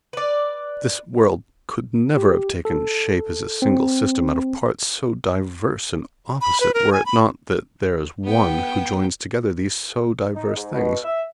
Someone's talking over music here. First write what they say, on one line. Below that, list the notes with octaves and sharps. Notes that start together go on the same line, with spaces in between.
This world could never have taken shape as a single system out of parts so diverse and opposite were it not that there is One who joins together these so diverse things.
B4 D5
G4
A4
C4
B5
B4
A#4
G#5
B5
B3 G5
D#4
G#2
B2
E5